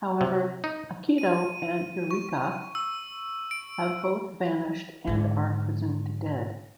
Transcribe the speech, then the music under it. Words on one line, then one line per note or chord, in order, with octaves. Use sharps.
However, Akito and Yurika have both vanished and are presumed dead.
C3
D#4
D#7
C#6
E6
D7
G#2 D3